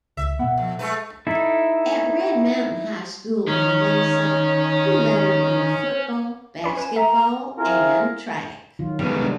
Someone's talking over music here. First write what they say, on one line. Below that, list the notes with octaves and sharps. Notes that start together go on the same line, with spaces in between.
At Red Mountain High School in Mesa, he lettered in football, basketball, and track.
C#2 E5
B2 B3 F#5 G5
F2
G#3 A3 B4
D#4 E4 A4
D#3 C#4 C#5
C#4 B4 D5 G#5
B4 E7
E5 A#5
C4 E4 F4 G#4 A#4
D#3 F#3 F4
G3 G#3 B3 C#4
C3 G#3 D4